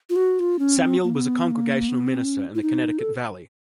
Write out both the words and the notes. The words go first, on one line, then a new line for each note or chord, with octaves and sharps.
Samuel was a Congregational minister in the Connecticut Valley.
F4
F#4
F4
C#4
C4
A#3
B3
A#3
B3
C4
C#4
E4
D#4
A4